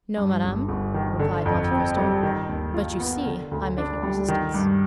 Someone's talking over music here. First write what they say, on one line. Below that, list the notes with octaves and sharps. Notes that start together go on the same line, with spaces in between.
"No, madame," replied Monte Cristo; "but you see I make no resistance."
G2
G1
G1
D#3
D3
F2
C4
G3
D#3
D#2
F4
B3
D3
D2
D4
G3
D#3
G2